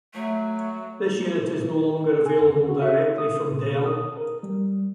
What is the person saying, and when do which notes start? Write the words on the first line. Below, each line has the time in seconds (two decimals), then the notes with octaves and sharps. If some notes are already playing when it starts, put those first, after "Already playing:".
This unit is no longer available directly from Dell.
0.14 F#3 A3
2.26 G#5
2.41 F2
2.55 D3
2.69 F#4
2.82 E5
3.18 D#6
3.52 A#2
3.64 B2
3.86 D#6
4.17 A#4
4.43 G3